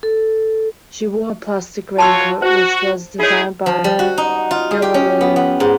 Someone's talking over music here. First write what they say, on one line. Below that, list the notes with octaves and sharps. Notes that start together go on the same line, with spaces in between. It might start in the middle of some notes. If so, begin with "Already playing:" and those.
She wore a plastic raincoat, which was designed by Galliano.
A4
F4 F#4 C#5 A5 C6 E6
F#4 C5
G#3 E4 F4 G#4 C#5
F3
G3
F#4
D#4
F4
G#4
G4
C#4
B3
B3
G#2